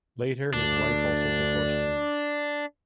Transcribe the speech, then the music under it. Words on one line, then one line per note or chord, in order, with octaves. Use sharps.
Later his wife also divorced him.
D2 D4